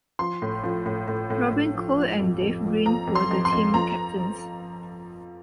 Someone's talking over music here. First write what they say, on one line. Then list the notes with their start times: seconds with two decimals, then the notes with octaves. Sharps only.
Robin Cole and Dave Green were the team captains.
0.19 F3 C6
0.42 A2
0.63 F3
0.86 A2
1.08 A2
1.30 A2
1.52 A2
1.75 F3
1.97 F3
2.19 F2
2.41 F2
2.64 F3
2.86 F3 A#5
3.07 F2
3.15 C6
3.31 F2
3.45 C6
3.52 F2
3.74 F3 A#5